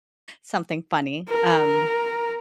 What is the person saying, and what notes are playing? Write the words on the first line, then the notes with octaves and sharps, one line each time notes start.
something funny, um,
A#4